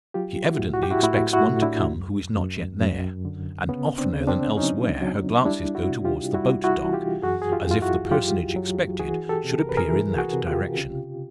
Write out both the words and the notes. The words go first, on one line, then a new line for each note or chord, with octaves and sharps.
She evidently expects one to come who is not yet there; and oftener than elsewhere her glances go towards the boat-dock, as if the personage expected should appear in that direction.
F#3 F4 G4
E4 F#4
A2
F#4
G4
E4 F#4
A2 E4 F#4
E4 F#4
A2
D4 E4
F#2
F#2
F#2
D3
C#3 B3 C#4
C4 D4
C#3
C4 D4
F#3 C#4 D#4
F#3
G3 D4 E4
E4 F#4
C3
F4 G4
G3 E4 F#4
E4 F#4
E3
F4 G4
F#2 F#4 G#4
G#4
F4 G4
F#2 F4
E4 F#4
F#3 F4 G4
F#3
E3 F#4 G#4
G4 A4
C3
A#4
B4
G#4 A#4
E3
F#4 G#4
C3
F4 G4
C#3